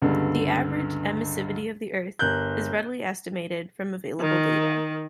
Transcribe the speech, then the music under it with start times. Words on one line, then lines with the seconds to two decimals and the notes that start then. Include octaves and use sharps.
The average emissivity of the earth is readily estimated from available data.
0.02 C#2 G2 D3 B3
2.19 G1 A#4 F#6 G6
4.21 D#3